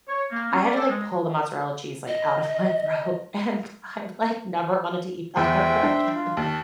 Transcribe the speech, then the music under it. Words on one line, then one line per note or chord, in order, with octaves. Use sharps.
I had to, like, pull the mozzarella cheese, like, out of my throat, and I, like, never wanted to eat that ever again.
C#5
A#3
C#4
D5
A4
G#3
D#5
E2 C5 E5 G5
D4
F4
D#2 A5